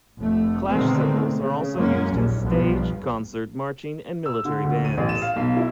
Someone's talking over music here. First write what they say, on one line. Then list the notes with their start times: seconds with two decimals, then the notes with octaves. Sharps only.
Clash cymbals are also used in stage, concert, marching and military bands.
0.18 F1 A3
0.70 B2 D3 D#3 G#3 A3 C4
1.37 C#3
1.76 F#2 F#3 G#3 A#3 C#4
2.12 A#1 D#2
2.45 B1 G2 F3 B3
4.26 E6
4.45 D3
4.64 D2
4.85 D#7
4.98 A1
5.09 E7
5.22 F5
5.36 B1
5.56 E4